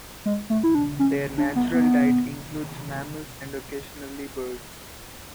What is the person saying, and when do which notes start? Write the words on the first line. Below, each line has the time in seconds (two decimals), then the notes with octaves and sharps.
Their natural diet includes mammals and occasionally birds.
0.26 G#3
0.50 A3
0.64 E4
0.75 D4
0.99 C#4
1.38 D4
1.56 B3
1.74 B3